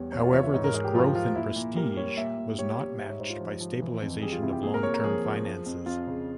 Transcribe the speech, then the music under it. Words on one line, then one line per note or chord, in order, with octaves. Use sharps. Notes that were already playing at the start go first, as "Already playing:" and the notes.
However, this growth in prestige was not matched by stabilization of long-term finances.
Already playing: E2 G3 C#5
E2 C#5
F4
E3 C#5
E5
G#2 C#5
A#4
G#2 G#4
G4
F3 F4
F3 F4
A#2 E4
A#2
G3 A#4
G3 C#5
A#2 E5
A#2
G3 C#5
G3
G#2 E5
C#5
G#2 C5
F4
F3
F3
E3
F2
G3 G#4
F4
C3 E4
G4
A#2 G#4
A#4
A#2 C#5
A#4
F3 G#4
F3
F3
F2
F2 F4
C#3